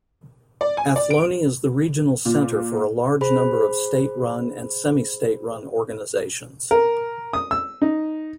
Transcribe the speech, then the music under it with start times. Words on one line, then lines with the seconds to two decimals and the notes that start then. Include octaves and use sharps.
Athlone is the regional centre for a large number of state-run and semi-state-run organisations.
0.61 D5
0.77 G#5
0.96 D5
1.11 D7
2.25 A#2
3.21 G#4 C5 B5
6.71 A#4
7.33 D#6
7.51 E6
7.82 D#4